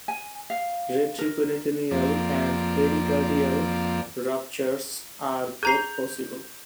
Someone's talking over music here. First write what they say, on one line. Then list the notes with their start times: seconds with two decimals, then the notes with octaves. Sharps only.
Retroperitoneal and pericardial ruptures are both possible.
0.08 G#5
0.50 F5
1.19 A#4
1.91 F2 F3 A#3 C4 D5
5.63 G#4 A#5 G6 C7 F7